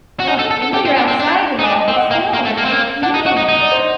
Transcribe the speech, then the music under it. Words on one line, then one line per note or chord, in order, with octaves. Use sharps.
Ugh, I know you're outside and all, but still, like, you're eating.
F#4
D#4 F#5
A4
A4
A4
G4
C4
D4
C4
D4
D#4
D4 D#5
D#5
C4
F#5
A#3 G5
A#3
A3
A#3
C4
A#3
D4 F#5
D#4 D#5
F#4 F#5
D#4 D#5
D#4 D#5
D5
C5